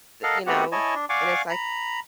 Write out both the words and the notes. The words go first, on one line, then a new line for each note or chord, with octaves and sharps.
Th You know? And it's like
A4 A#4 D#5 F5 F#5
A3 B3 C4 F#4 G4 F#5
E4 C#5 D#5 G#5 A5
D4
D5 F5 F#5 G#5 C#6 D6
A#5 B5